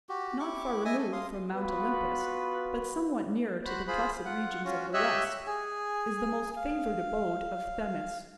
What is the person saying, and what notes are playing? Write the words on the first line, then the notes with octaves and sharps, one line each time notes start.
Not far removed from Mount Olympus, but somewhat nearer to the blessed regions of the West, is the most favoured abode of Themis.
F#4 G4
E4 G4 C#6 D6
D#5 E5 G#5 D#6
A4
F5 C6 D#6
B3 F4 F#4 B4
F#4 C5 B5 F#6
F4 G#4 C5 B5
F4 F#5
C#4 F4 F#4
G4 C#5 D#5 E5 E6 F#6
G#4 G#5
F5